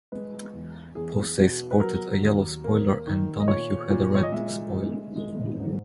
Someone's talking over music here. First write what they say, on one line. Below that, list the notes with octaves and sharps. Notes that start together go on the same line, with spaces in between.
Posey sported a yellow spoiler and Donohue had a red spoiler.
G#3 B4
E2
E2 G#4
B2
B4
F#3 A#4
D#2
A#3
D#3
D#5
A#2 C#5
A#2
C#5
D#5
G#3 E5
G#3
G#3
G#2